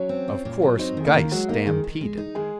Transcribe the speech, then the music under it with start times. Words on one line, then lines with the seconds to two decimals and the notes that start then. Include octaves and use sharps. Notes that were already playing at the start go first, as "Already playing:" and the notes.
Of course Geiss stampeded.
Already playing: F#3 C#4 C#5
0.09 C4
0.28 F4
0.45 A#2
0.62 F#3
0.79 C4 D#4 C5
0.97 D#3 G#4
1.05 A#3 A#4
1.14 D#3
1.31 F#3 G#3 F#4
1.49 A#3 D#4 A#4
1.65 D#3 G#3 G#4
1.84 D#3
2.01 G#3
2.17 D#4
2.35 D#3 G#3 G#4